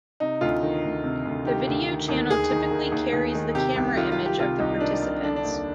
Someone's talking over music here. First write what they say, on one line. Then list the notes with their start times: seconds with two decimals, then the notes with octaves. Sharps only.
The video channel typically carries the camera image of the participants.
0.20 C3 D#4
0.41 D2 F4
0.63 D#3
0.84 D2
1.04 C3
1.25 D2
1.46 D#3 G4
1.67 D2
1.89 D#3
2.09 D#2
2.29 D#2 G#4
2.51 D#3
2.71 D#3
2.92 D#2
3.13 D#2
3.35 D#3
3.55 C3 G4
3.76 C2
3.97 D#3 F4
4.12 F4
4.18 C2
4.26 G4
4.40 C3 F4
4.59 C2 D#4
4.80 D#3 D4
5.03 C2
5.23 D3 D4
5.36 D4
5.44 D#2